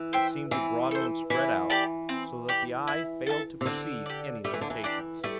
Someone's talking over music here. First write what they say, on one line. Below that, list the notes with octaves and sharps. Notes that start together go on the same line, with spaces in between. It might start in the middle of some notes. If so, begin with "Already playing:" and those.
It seemed to broaden and spread out, so that the eye failed to perceive any limitations.
Already playing: E3
C5 E5 G5
E3 C4
A4 C5
E3 E4
G4 D5 A5
C4
G4 D5
E4
A4 E5 A5
C3
D3 C4
G4 D5
G3 A3
E3
D3
E3
D4 G4 D5
G3 A3